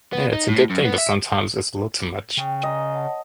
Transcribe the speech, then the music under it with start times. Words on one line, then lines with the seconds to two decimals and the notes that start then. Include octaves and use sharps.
Yeah, it's a good thing, but sometimes it's a little too much.
0.13 B3
0.32 D#4
0.49 A2
0.70 F#2
0.85 B3
0.98 E5
2.37 C#3 G5
2.63 D#5 G#5 A#5
2.93 C#5 F#5 A5